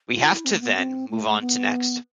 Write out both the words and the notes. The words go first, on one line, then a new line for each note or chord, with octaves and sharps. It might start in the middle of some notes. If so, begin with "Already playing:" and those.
We have to then move on to next.
F4
E4
C4
A3
B3
C4
A3
B3